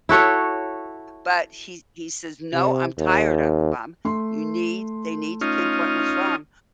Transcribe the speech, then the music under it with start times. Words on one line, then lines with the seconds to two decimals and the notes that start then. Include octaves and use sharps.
but he he says, "No, I'm tired of it mom you need they need to pinpoint what's wrong."
0.09 E4 F#4 A4 C#5
2.54 C3
2.98 D#2
4.05 A3 C6
5.41 C#4 D#4 F4